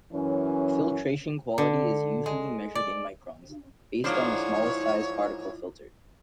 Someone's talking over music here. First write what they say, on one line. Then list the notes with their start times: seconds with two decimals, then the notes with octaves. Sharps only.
Filtration quality is usually measured in microns, based on the smallest size particle filtered.
0.13 F#2 E3 C#4
1.58 D3
2.26 G#3
2.75 D5
4.04 G#2 F3 A#3 D4 E4 C5 C#5